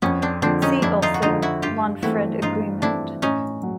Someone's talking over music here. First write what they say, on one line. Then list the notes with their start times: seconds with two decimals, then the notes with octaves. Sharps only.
See also: Wanfried agreement.
0.02 F2 B3 C#4
0.22 C4 D4
0.42 D3 F3 C4 D4
0.62 C#4 D#4
0.82 F2 D4 E4
1.02 D#4 F4
1.14 F#4
1.22 D3 F3 D#4 F4
1.42 E4 F#4
1.62 G2 F4 G4
2.03 E3 A3 C4 E4 F#4
2.42 G2 D#4 F4
2.82 E3 A3 C4 D4 E4
3.22 A2 C#4 D#4
3.63 F#3